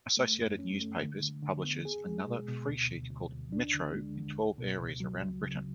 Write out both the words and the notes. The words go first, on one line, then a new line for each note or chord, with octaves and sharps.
Associated Newspapers publishes another freesheet called "Metro" in twelve areas around Britain.
A3
F#2
C#4
A3
D3
D3
D3
B3
G#4
G#3
B2
B2
D2
D2
D2
D2
D4
D3
G#3
D3
C#2
B2
C#2
F#3
C#2
C#3